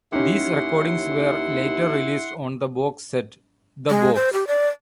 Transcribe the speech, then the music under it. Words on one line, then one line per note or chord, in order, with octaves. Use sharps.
These recordings were later released on the box set "The Box".
D#2 C#4 D#4 E4 G4 F#5 C6
G#3
C5
G4
D5